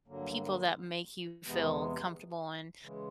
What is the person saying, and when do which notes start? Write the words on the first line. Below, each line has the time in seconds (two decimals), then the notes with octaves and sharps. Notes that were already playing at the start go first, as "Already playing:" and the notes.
people that make you feel comfortable and
0.07 G2 D3 F#3 A#3
1.44 E2 C3 E3 G#3 B3
2.82 C#3 E3 G#3